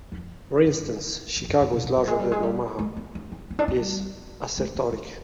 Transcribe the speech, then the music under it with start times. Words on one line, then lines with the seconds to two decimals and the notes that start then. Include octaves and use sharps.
For instance, "Chicago is larger than Omaha" is assertoric.
0.12 F2
0.66 G2
1.37 F2
1.49 G2
1.61 G#2
1.73 B2
1.84 C3
1.97 G3
2.08 G#3
2.19 G3
2.32 G#3
2.43 G3
2.79 G#3
2.97 B3
3.15 D4
3.32 C4
3.50 B3
3.59 D4
3.68 C4
3.77 G3
4.57 G#3
4.75 B3
4.93 D4